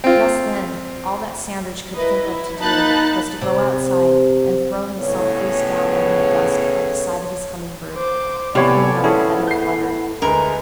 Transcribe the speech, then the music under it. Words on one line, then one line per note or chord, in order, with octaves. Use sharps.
Just then all that Sandridge could think of to do was to go outside and throw himself face downward in the dust by the side of his humming-bird, of whom not a feather fluttered.
C4 F4
E4 A#4 B4 D#5
E4
A#3 D#4 A5 B5 F#6 A6
C3
A2 C#3 B3 C#5
C5 D6
A2 C3 B3 G4 C#5 D5 G#5
B3 C#4 E4 G#4 A4
G6 C7
D2 G#3 A#4 B4